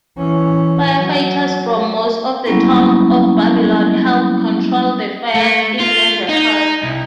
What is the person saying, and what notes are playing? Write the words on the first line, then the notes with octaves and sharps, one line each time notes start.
Firefighters from most of the Town of Babylon helped control the fires in Lindenhurst.
E3 C#4
F#3
F#3 G3 A#3 B3 C#4 E4
A3
F4
D#4
C2